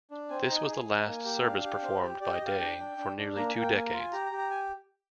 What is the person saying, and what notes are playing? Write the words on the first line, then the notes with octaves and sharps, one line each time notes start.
This was the last service performed by Day for nearly two decades.
D4
C4 G#5
A#5
D#4
G#5
G#4 G#5
D#4
A#3
G4
D4 F5
G4
C4
G4
G4 D5
D#5
G4
F5
D4 G5
D4
D4
D4
A#3 A#5
G#5
A#3
G5
A#3 G#5
A#5
F4
G#5
G4 A#5
A#5
G4
A#5
G#5